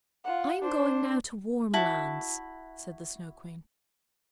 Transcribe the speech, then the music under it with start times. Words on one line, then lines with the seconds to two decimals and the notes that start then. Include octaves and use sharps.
"I am going now to warm lands," said the Snow Queen.
0.24 F4 F#5
0.62 D4 C5
1.74 E4 F#4 A5